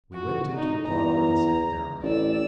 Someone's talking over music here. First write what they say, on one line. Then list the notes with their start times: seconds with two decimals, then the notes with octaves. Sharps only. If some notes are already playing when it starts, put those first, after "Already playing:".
We went into the parlour and sat down.
0.13 F#4
0.55 D#4
0.89 E2 A#5
2.03 A1 D5 E6